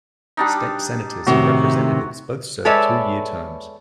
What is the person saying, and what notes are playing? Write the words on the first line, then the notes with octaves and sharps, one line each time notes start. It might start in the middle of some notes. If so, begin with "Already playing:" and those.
State Senators and Representatives both serve two-year terms.
G3 D4 D#4
A2 C3 D#3 F#4
G#3 A4 B4 C#5 D5 E5